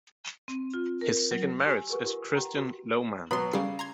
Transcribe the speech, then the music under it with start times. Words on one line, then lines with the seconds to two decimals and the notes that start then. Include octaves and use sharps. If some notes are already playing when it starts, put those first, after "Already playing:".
His second marriage is to Kristen Lowman.
0.48 C4
0.74 F4
1.01 A#4
1.31 F#3
1.64 G4 G#5 E6
1.89 G#4 A#4 B4 F#5 C#6
2.03 F4 G4 A#4
2.35 G4 F#5 G5 A#5
2.57 F#4
3.31 B2 F#3 B3 B5 C6
3.53 C#3 G3 C7
3.79 A#5 C6 G#6